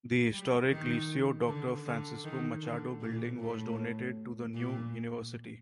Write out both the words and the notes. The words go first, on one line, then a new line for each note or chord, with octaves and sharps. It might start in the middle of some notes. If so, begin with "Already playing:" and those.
The historic Liceu Doctor Francisco Machado building was donated to the new university.
G3
D#3
D3
D3
D#3
D3
A#2
A2
A#2